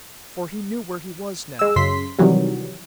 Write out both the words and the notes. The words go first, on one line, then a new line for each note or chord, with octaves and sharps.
For he knew where he was now.
G#3 E6
F#2 C#3 C6 B6
C3 D#3 E3 F#3 G3